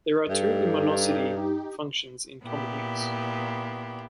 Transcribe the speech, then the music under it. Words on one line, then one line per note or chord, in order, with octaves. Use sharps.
There are two luminosity functions in common use.
G2 D#4 G4 A4
A#2 B3 E4 G4